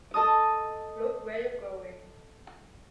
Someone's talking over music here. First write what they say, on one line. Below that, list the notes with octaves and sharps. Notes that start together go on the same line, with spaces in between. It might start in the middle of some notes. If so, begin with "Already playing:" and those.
Look where you're going!
A4 D#5 A5 D#6